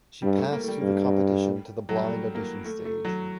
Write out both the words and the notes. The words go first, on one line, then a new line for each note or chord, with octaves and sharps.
She passed through the competition to the Blind Audition stage.
G2 G3
A3
A#3
A3
G3
G2
F#3
G3
A3
A#3
A3
A3
F#3